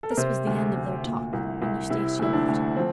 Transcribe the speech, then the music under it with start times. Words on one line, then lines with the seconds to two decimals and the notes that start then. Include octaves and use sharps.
This was the end of their talk, and Eustacia left him.
0.03 A4
0.11 A#4
0.17 C3 C5
0.47 D2
0.75 D2
1.04 A#2
1.33 C2
1.62 C2
1.90 C3 E4
2.19 D2 E4
2.33 D4
2.48 D2
2.76 F3 C4